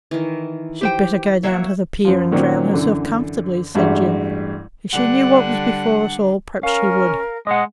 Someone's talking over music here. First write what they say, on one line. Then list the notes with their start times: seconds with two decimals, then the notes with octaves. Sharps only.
'She'd better go down to the pier and drown herself comfortably,' said Jim. 'If she knew what was before us all, perhaps she would.
0.11 D#3 E3
0.81 G4 C5 G5
1.43 F#3 A#3 F#4 C#5 E5
2.05 F#2 F3
2.31 A#2 D#3 F#3 C4 C#4
2.73 F#2 D3 E3
3.75 A1 G2 G#3 F#4 E5 F#5
4.92 D3 G3 D4 F#5
6.63 C#4 A#4 F5
7.47 G#3 D#5 F#5